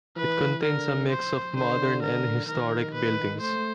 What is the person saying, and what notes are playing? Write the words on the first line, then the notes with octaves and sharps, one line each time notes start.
It contains a mix of modern and historic buildings.
E3 B4
D3 A#4
C5
D3 C5
A#4
D#3 A#4
B4
A3 C5